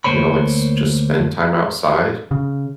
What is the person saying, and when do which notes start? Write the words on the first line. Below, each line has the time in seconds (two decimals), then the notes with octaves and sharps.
you know, like, s just spend time outside,
0.04 D2 G#2 A#3 C5 C#5 B5
2.31 C#3